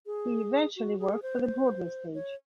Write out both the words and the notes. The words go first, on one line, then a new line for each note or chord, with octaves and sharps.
He eventually worked for the Broadway stage.
G#4
F#4
G#4
C5
C5
C#5